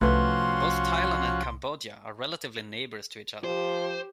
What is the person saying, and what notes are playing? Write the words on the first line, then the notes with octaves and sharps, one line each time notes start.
Both Thailand and Cambodia are relatively neighbors to each other.
C2 F3 A3 C#4 F#4 B4 C6
F3 G4 C5